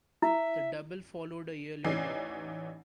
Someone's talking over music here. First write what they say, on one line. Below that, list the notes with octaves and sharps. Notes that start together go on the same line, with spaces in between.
The double followed a year later.
E4 E5
A1 E3 C#4 D#4 D5 C7